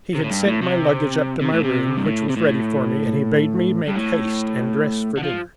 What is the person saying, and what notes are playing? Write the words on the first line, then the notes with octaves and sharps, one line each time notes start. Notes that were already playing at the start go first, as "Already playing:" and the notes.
He had sent my luggage up to my room, which was ready for me, and he bade me make haste and dress for dinner.
C3
A2
G2
A2
C3
C3
A2
C3
G2
A2
C3
A2
G2
A2
D3
F3